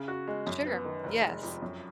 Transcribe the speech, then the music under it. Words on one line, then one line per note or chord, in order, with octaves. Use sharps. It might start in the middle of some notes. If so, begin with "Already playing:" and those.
Sure. Yes.
Already playing: C#3
F#4
G#3
F#2
B3
D#3
F1
G#3
F2
F#2